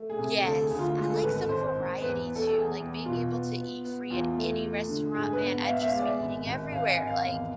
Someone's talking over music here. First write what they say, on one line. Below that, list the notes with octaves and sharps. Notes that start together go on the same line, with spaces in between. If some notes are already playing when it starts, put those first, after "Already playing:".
Yes, I like some variety too, like, being able to eat free at any restaurant, man, I'd just be eating everywhere, like
Already playing: A3
G#4
C3
D2 A4
G#4
D2
F4
G#3 F4
A4
G#1 B4
A4
G#1 C5
G#2
E2 B4
B3
A4
A4
E2 G#4
E2
B2 F4
B3
B3
B3
E2 F4
A3
A3
D3
G#2 G#4
B4
B3
F5
B3 E5
E5
F5
G#3 D5
E5
G#1
G#1
G#1 F5
G#5
G#1
F5
E2